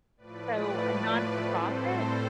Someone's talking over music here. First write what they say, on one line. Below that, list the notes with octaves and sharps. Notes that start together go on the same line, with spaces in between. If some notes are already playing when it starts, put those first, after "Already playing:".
So a non-for-profit?
A2 F3 A3 B4 D5
B4
B4
A2 G3 C4 A4 C5
A4 C5